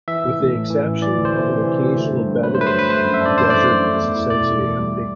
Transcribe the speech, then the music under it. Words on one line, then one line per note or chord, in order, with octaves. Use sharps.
With the exception of an occasional Bedouin, the desert is essentially empty.
E3 E5
A1
A3
A2
E3
A1
E3 D5
D2
C5
A3
C3
E3
D2
A3
G2
G2
F#3 B4
C5
A3 B4
C5
G2 B4
A3 C5
F#2
E5
D4 D5
E3 C5
A3 D5
F#2
A3
E2
E4
B2 D5
A3
E2
G3